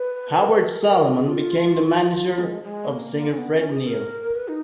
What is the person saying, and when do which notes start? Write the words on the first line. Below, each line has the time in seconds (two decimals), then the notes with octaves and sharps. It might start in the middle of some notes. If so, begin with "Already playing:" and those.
Howard Solomon became the manager of singer Fred Neil.
Already playing: B4
0.41 A#4
0.51 B4
0.60 A#4
0.81 G#4
0.91 A#4
1.04 F#4
1.16 G#4
1.28 F4
2.39 G#3
2.63 G#3
2.89 A#3
3.31 C#4
3.38 B3
3.54 C#4
3.70 G#4
3.87 A#4
4.35 B4
4.48 D#4